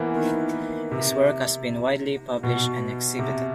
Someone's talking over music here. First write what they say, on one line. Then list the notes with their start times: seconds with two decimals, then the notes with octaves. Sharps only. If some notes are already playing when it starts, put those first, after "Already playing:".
His work has been widely published and exhibited.
Already playing: E3 A#3 B3
0.15 D#3
0.92 C3
2.43 B2
3.19 C3